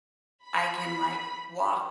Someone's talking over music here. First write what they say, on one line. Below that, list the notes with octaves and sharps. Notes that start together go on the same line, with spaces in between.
I can, like, walk
B5